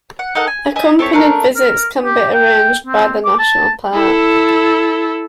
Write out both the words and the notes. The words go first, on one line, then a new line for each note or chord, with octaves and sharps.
Accompanied visits can be arranged by the national Park.
F#5
D#4 A4 A#4 F#5
G#5
D#5 E5 G#5
C4 A4 C#5 E5
A3 D4 A#4
A#4
G4
G5
C4
D6
A5
E4 A4